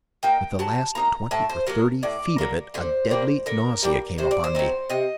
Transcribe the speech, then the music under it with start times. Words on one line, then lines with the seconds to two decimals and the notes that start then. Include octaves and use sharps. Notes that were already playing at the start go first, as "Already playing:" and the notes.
With the last twenty or thirty feet of it a deadly nausea came upon me.
0.23 A#3 D#4 G5
0.59 F#3 A5
0.95 A#3 D#4 A#5
1.31 A2 A5
1.49 C5
1.67 F#3 A#3 A#4
2.03 A2 D5
2.38 F#3 A#3
2.74 D3 C5
3.10 G3 A#3 D4
3.46 D3 A#4
3.83 G3 A#3 D4
4.18 C3 C5
4.31 D5
4.44 C5
4.55 F#3 C4 D#4
4.89 C3 D#5